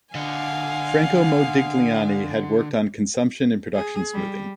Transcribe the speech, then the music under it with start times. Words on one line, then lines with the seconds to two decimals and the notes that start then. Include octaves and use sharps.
Franco Modigliani had worked on consumption and production smoothing.
0.15 D3 D#5 F5 F#5 G#5
3.74 G#4
4.14 G3